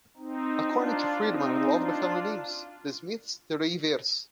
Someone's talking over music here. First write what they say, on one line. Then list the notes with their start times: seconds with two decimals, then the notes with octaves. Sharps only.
According to Freedman I loved the family names - the Smiths, the Reivers.
0.17 C4 D#4
0.67 D4 F4
1.17 C4 D#4
1.67 D4 F4